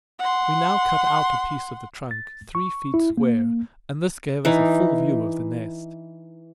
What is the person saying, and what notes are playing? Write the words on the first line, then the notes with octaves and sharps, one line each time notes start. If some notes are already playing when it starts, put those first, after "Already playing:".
We now cut out a piece of the trunk, three feet square, and this gave us a full view of the nest.
F#5 C6
A6
C#6
E4
A#3
E3 D#4